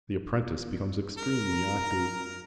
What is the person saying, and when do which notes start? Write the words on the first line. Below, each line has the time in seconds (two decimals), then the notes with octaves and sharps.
The apprentice becomes extremely active.
1.18 A#4 A#5